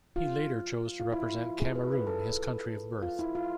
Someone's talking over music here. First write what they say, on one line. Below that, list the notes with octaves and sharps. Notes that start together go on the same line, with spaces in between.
He later chose to represent Cameroon, his country of birth.
F4
F4
E4
F4
G#4
B4
B4
A4
F4
E4
F4